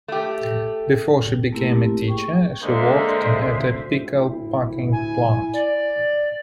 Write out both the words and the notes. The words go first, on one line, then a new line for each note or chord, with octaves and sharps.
Before she became a teacher, she worked at a pickle-packing plant.
A3 G4
A3 A#3 C4 E4 G4 A#4
G#4 G5 C#6
D3 G#3 A#3 C5 E5
E4
G#5
D5